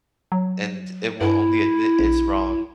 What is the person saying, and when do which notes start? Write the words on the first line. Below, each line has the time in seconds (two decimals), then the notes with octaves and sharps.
and it will only admit it's wrong
0.32 F#3
1.21 G2 E4
1.99 A#1